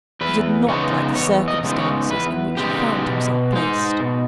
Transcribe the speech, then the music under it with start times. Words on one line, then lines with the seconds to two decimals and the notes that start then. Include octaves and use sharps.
And he did not like the circumstances in which he found himself placed.
0.21 E2 B4
0.68 C#3 G#3 B3 D#4 C#5
1.15 E2 C#5
1.48 D#5
1.63 C#3 G#3 B3 D#4
1.79 C#5
2.10 E2 B4
2.57 C#3 G#3 B3 D#4 G4
3.05 B2
3.52 G#3 D#4
4.00 B2